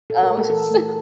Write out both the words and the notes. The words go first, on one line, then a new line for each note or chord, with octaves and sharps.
um, so
A#2 A4
A#4
A3
A4
E3 A4
A3